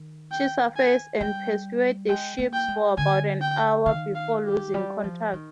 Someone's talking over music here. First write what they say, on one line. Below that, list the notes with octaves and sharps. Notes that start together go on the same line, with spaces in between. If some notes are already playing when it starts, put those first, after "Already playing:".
She surfaced and pursued the ships for about an hour before losing contact.
Already playing: D#3
G5
G#5
G3 G5
G#3 G5
A#3
G5
G#3
D3 G#5
G5
D#3 F5
F5
G4
G3
F3
D#3